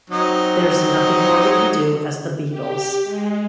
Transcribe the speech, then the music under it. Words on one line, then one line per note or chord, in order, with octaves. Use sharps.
There's nothing more we can do as the Beatles.
F#3 C4 D#4
G4
G#3